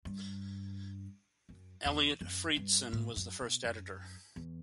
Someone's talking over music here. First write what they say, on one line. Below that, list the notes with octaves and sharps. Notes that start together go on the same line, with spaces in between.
Eliot Freidson was the first editor.
G2
F#2
E2
F#2
G2
A2
F#2
B2
F#2
E2